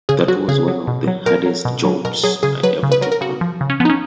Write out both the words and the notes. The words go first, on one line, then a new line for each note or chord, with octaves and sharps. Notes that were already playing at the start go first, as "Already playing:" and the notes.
That was one of the hardest jobs I ever took on.
C#3 G#4
F#3 F#4
C#3 G#4
F#3
B2
F#3
B2 A#4
F#3
B2
F#3
B2 A#4
F#3 G#4
C#3 G#4
F#3 B4
C#3
B4
F#3 A#4
A#4
C#3 F#4
F3
C#3
C#4
F3 B3
D#4
C#4